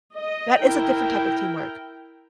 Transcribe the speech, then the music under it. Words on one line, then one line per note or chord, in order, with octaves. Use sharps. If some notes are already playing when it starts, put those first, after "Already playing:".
That is a different type of teamwork.
D#5
E4 A#4 G5